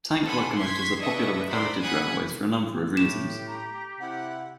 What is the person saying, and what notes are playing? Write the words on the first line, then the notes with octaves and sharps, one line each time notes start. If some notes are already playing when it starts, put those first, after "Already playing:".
Tank locomotives are popular with heritage railways for a number of reasons.
A4 C5 F#5 G#5 B5
C6 C#6 G#6 B6
D4 B4 D#5 E5 C#6
A#4 C5 D5 B5 C6
F#5 G#5 B5 D#6 F#6 G#6
A2 G4 E7
A#5
C3 E4 F#5